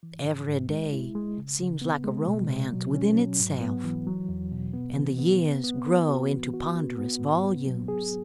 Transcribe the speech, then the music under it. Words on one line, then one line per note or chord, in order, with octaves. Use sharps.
Every day seems like a romance within itself, and the years grow into ponderous volumes.
E3
G#2
G#2
G#3
E4
G#3
C#3
C#3
B3
G#3
B2
B2
F#3
C#4
F#3
G#2
B3
E3
F#3
E2
B2
B3
E3
B3
B3
B3
B3
F#4
E3
F#4
B3
B3
G#2
B3
F#3
G#4